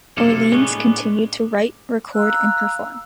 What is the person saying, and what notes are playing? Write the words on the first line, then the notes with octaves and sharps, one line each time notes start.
Orleans continued to write, record and perform.
B1 F#2 C3 A#3 A4
A2 G#3 A#3 B3 C#4 D4
F5 A#5 E6 F#6